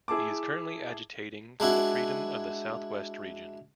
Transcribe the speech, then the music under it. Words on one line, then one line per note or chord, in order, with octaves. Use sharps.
He is currently agitating for the freedom of the south west region.
E4 G#4 A5 D6
G#3 D4 E4 F#4